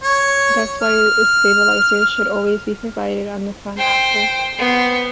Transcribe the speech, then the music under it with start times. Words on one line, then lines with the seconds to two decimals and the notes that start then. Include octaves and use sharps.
That is why a stabilizer should always be provided on the front axle.
0.04 C#5
0.83 F6
3.77 C5 G5
4.59 B3 C5